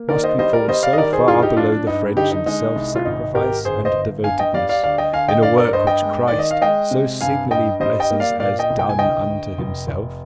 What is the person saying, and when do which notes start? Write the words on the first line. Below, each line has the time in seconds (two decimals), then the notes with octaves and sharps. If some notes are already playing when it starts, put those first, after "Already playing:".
Must we fall so far below the French in self-sacrifice and devotedness, in a work which Christ so signally blesses as done unto Himself?
Already playing: A#3
0.09 D#3 A#4 D5
0.23 C5 D#5
0.38 G3 C5 D#5
0.53 A#4 D5
0.68 G3 C5 D#5
0.83 D5 F5
0.93 D#5
0.98 D#3 A#4 D5
1.13 G#4 C5
1.27 G2 F4 G#4
1.42 D#4 G4
1.57 F3 D4 F4
1.72 D4
1.87 G2 D#4
2.16 D3 D#4 G4
2.31 D#4
2.46 G#3 D#4
2.76 C2
2.96 F4
3.05 G#1 D#4
3.35 G#1 G4 A#4
3.65 G1 G#4 C5
3.85 C5 D#5
3.94 G1
4.24 G2 F5 G#5
4.39 D#5 G5
4.54 G3 D5 F5
4.69 D5 F5
4.83 D2 D5 F5
4.98 D#5 G5
5.13 D3 F5 G#5
5.28 D#5 G5
5.42 G2 D5 F5
5.58 A#4 D5
5.73 G2 C5 D#5
5.87 D#5 G5
6.02 G#3
6.28 D#3 D5
6.39 D#5
6.51 F5
6.61 G#3 D#5 G5
6.91 C3
7.21 G2 F5 G#5
7.50 G2 D#5 G5
7.80 G3 C5 D#5
8.00 D#5 G5
8.11 A#3
8.20 D5 F5
8.40 A#2 D5 F5
8.59 D#5 G5
8.70 C2
8.79 G5
8.89 G#5
8.98 D2 D#5 G5
9.29 D2
9.59 F1
9.88 F1